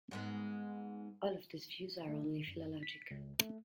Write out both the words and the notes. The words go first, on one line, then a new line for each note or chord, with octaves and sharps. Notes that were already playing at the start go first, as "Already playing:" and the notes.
All of these views are only philologic.
G#2 G#3 B3
A3
D#3
F#2
B6
C#2
A3